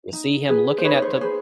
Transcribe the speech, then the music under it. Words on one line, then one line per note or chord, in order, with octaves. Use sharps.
you see him looking at the
D#4
G#4 B4
C5
D#4 B4 C#5
C#5
C5
C#5
G#4 B4 C5